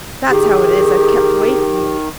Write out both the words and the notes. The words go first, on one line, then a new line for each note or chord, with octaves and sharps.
That's how it is I've kept away from you.
D#3 G4 G#4